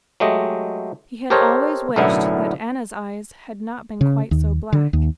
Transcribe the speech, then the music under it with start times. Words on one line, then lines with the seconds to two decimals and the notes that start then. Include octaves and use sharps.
He had always wished that Anna's eyes had not been quite so black.
0.20 F#3 G#3 A3 G4 D#5
1.30 G4 A4 A#4 C5 C#5 D#5
1.96 B1 F#2 A2 D3 B3 E4
4.01 C#3
4.31 D#2
4.73 D3
4.93 D#2